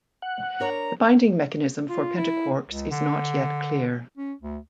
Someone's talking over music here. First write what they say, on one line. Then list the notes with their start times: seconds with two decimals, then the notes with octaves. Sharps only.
The binding mechanism for pentaquarks is not yet clear.
0.22 F#5
0.60 D4 A#4 C#5 A#5
1.89 F4
2.17 E4
2.70 C#2
2.91 D3
4.18 C#4
4.42 D2